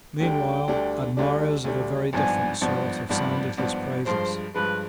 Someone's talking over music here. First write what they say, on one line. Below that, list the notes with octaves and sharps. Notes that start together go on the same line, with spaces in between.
Meanwhile admirers of a very different sort have sounded his praises.
D2 D3 G3 D4 G5
D2 D3 G3 D4
D2 D3 G3 D4
D2 D3 G3 D4
G#1 G2 F3 B3 D4 G#5
G#1 G2 F3 B3 D4
G#1 G2 F3 B3 D4 B5
G#1 G2 F3 B3 D4
G2 F3 G#3 C5
G2 F3 G#3 B4